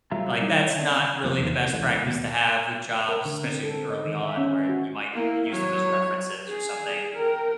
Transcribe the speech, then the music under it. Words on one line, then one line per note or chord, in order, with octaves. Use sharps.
like, that's not really the best practice to have with jobs, especially early on where you might use them as references or something.
F#3 G3 A3 F4 E5 A#5
G3 D#4 E4
C#5 E5
C4 D4
F#1 F3 A#3
E2 D#3 E3
C3
C#2 E3 A3
D#1 B2
A#4
D3
C4
A4
D#5
D#3
E5
C#4
F#4
A#3 E4
F#3 C#5
G#4
A#4 G5